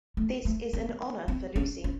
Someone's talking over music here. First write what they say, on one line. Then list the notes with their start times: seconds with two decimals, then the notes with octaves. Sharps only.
This is an honour for Lucy.
0.17 A3
0.45 A3
0.73 C4
1.28 C4
1.56 C#4
1.84 C#4